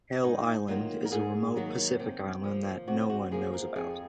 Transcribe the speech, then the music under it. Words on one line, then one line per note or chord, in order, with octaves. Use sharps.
Hell Island is a remote Pacific Island that no one knows about.
G#2 D#4
D#3 F#3 A#3 F4
A#4
G#2 G#4
D#3 F#3 A#3
C3
F3 A#3
C3 F#4
F4
F#4
F3 A#3 G#4
A#4
F2 G#4